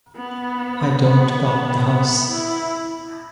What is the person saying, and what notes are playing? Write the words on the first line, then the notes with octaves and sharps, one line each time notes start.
I don't count the house.
B3
B3
B3
B3
E4